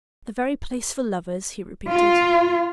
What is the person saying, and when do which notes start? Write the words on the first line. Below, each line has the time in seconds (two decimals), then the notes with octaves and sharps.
"The very place for lovers," he repeated.
1.91 F4